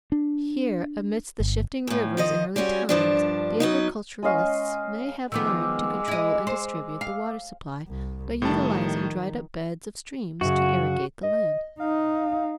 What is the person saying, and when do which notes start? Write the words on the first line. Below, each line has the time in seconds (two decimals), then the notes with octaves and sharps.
Here, amidst the shifting rivers in early times, the agriculturists may have learned to control and distribute the water supply by utilizing dried-up beds of streams to irrigate the land.
0.12 D4
1.40 G1
1.87 E2 A2
2.17 D#3 F3 D#5
2.56 G3 G#3 C#4 F#4
2.89 G2 F3 D4
3.60 F#3 B3 D#4
4.23 G#3 C#4 D#5 F5
5.32 D#3 F3 G#3 B3 D6 E6
6.08 E4 D#5
6.47 C5
7.01 F5
7.88 C2
8.42 A2 D#3 F3 G3 A5
10.41 F#2 C#3 F#4
11.23 D#5
11.80 D#4 F5